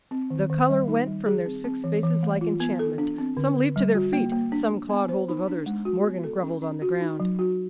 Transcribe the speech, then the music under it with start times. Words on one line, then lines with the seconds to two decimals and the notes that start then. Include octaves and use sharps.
The colour went from their six faces like enchantment; some leaped to their feet, some clawed hold of others; Morgan grovelled on the ground.
0.11 C4
0.30 D#3
0.50 D#3
0.70 G3
0.88 D#4
1.07 G3
1.26 G#4
1.46 C4
1.64 C4
1.84 E3
2.03 E3
2.23 A3
2.41 F4
2.60 B3
2.79 A4
2.98 D4
3.18 C4
3.37 D3
3.56 D3
3.76 G3
3.94 F#4
4.13 A#3
4.32 A#3
4.52 D4
4.70 G4
4.90 B3
5.09 C5
5.29 D#4
5.48 D4
5.66 G#3
5.85 F#4
6.05 B3
6.24 A4
6.43 C#4
6.62 C#4
6.82 F#4
7.01 D#4
7.20 F#3
7.39 F#4